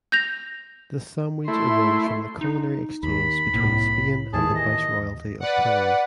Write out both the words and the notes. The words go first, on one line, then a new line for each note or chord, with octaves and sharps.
This sandwich arose from the culinary exchange between Spain and the Viceroyalty of Peru.
G6 A#6 F7
A3 E4 C6
D#4
D#2 B5
C2 A2 A#3
D#2 E3 G#4 A5
D#5
B4 D5 F#5